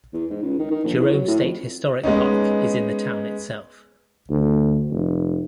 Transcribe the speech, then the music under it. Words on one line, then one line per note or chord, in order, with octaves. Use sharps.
Jerome State Historic Park is in the town itself.
E2
G#2
C#2
D#3
D#3
A#1
E2
F#3
A2
F2
G#3 B3 C#4 D#4
D2
F1